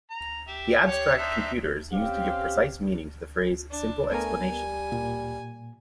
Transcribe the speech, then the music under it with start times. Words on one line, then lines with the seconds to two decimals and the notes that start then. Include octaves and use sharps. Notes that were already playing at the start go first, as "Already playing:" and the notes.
The abstract computer is used to give precise meaning to the phrase 'simple explanation'.
0.10 A#5
0.48 G4 E5
0.87 G4 C#5
1.18 C4 D4 D#4 E5
1.92 C4 C#4 G4 F5
3.71 D4
4.11 A3 B3 A#4 G#5
4.45 G3
4.92 A#2